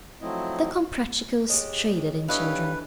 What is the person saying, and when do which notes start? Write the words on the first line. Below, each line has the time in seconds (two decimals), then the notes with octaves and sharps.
The Comprachicos traded in children.
0.21 F3 F#3 A3 C4 E4 D#5
1.49 G#3 G4 G#4 C#5 D#5
2.28 G3 D4 E4 A4 B4 C#5 D#5 F5